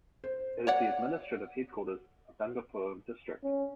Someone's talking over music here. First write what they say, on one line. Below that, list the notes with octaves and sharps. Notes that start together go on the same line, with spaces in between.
It is the administrative headquarters of Dungarpur District.
C5
C#5 D5 F#5
C#4